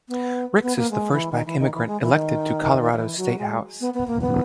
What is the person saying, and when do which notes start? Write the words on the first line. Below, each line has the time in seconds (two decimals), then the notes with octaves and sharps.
Ricks is the first Black immigrant elected to Colorado’s Statehouse.
0.08 B3
0.63 B3
0.77 A#3
0.91 G#3
1.12 E3
1.32 D#3
1.46 E3
1.60 D#3
1.73 E3
1.87 G#3
2.01 E3
2.14 D#3
2.93 D#3
2.97 E3
3.18 F#3
3.38 G#3
3.80 B3
3.94 B3
4.07 A#3
4.21 B3